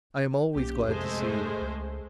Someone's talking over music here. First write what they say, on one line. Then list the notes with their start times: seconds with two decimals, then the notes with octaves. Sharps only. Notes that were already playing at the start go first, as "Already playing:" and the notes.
"I am always glad to see you."
0.55 B1 A#3 C#4 G4
0.87 F2 C3 G#3 A3 C5
1.61 C#2